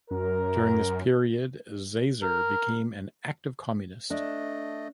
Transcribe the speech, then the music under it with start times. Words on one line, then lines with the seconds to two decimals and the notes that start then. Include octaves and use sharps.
During this period, Zaisser became an active communist.
0.11 F#2 A#4
2.23 A#4
4.10 A3 D4 D#5